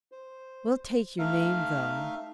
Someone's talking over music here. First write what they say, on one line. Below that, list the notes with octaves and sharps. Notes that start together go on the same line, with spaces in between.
"We'll take your name, though."
C5
A3 D#4 E5 F5 F6